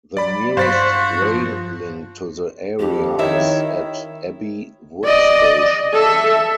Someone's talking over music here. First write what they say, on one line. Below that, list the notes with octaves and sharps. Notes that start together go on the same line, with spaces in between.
The nearest rail link to the area is at Abbey Wood station.
F#3 D5 B5
G2 F#4 C5 F5 A6 B6
F3
F2 G4
D#3 D#4 E4 C#5 E5
D5 D#5
A4 E5